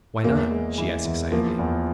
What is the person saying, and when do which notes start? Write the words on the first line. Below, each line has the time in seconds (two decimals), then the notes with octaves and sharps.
"Why not?" she asked excitedly.
0.24 E2 A#3
0.51 G#3
0.78 E3
1.05 E2
1.32 F3 A#3
1.59 E2